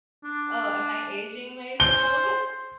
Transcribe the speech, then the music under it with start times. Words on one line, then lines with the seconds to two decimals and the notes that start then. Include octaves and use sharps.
Oh, am I aging myself?
0.24 D4
1.80 C5 G7